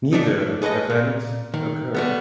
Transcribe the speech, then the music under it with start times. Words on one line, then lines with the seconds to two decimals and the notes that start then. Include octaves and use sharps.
Neither event occurred.
0.13 A3 D4 D#4
0.62 G#4 A4 B4 D5 D#5
0.90 A#2
1.54 D#3
1.95 G3 A3 B3